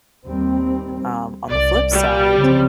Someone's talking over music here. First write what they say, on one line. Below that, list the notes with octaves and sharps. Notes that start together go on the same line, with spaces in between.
um, on the flip side,
D#2 G3 C4
C2 D5
G3
C#3 F3 C4